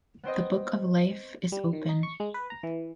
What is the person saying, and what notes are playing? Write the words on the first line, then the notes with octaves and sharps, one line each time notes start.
The book of life is open.
B3 C4 C5 D#5
G3
D#3
D#4
C#6
G#3
B4
A#5
E3